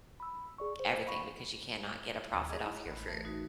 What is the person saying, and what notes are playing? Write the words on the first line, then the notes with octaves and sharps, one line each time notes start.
everything, because you cannot get a profit off your fruit.
B5 E6
G#4 D5 C#6
C5
F5 B5 C#6
D#2
G#4 D#5
E4
A1 B5 F#6
E3 A3
D#4 F#4